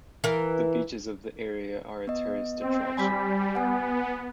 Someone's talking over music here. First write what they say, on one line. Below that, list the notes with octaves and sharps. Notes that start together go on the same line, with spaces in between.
The beaches of the area are tourist attraction.
E3 A#4
B3 D#5
C4
G3 G#5 B5 B6
B3 F#5 G#5